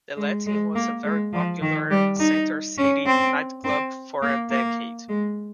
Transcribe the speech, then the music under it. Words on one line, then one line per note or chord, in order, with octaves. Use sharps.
The Latin was a very popular Center City nightclub for a decade.
G#3
G#3
A#3
G#3
F3
D#3
G3
D#4
C#4
C4
C4
A#3
A#3
G#3